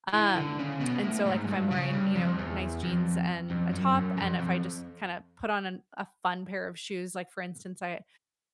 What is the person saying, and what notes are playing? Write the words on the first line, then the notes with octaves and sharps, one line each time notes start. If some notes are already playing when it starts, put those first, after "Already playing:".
um, and so, like, if I'm wearing, you know, nice jeans and a top, and if I just kinda put on an a fun pair of shoes, like for instance, I
E3
D3
C#3
B2
A2
G#2
G2
C#3
G2
F2
E2
F2
F2
F#2
F#2
F2
F2